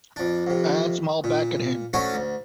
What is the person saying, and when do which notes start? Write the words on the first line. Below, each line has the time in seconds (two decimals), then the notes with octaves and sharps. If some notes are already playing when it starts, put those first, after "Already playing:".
Anne smiled back at him.
0.16 F2 D4
0.47 F2 C3
1.24 A#2
1.93 F#3 A3 C#4 D4 F#4 C5
2.14 D2